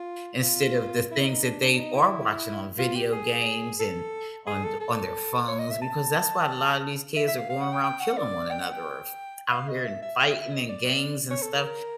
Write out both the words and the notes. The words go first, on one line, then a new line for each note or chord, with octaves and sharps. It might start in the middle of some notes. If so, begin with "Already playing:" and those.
instead of the things that they are watching on video games, and on the on their phones because that's why a lotta these kids are going around killing one another or f out here and fighting in gangs and stuff,
Already playing: F4
F4
E4
E4
D#4
D4
D4
D#4
E4
F4
G4
G#4
A4
G#4
A4
A4
C#5
D#5
E5
A5
E5
E5
F5
F5
F#5
G5
G5
F#5
D5
G5
F#5
G5
F5
D#5
E5
E5
E5
E5
E5
D#5
D5
C#5
A4
A#4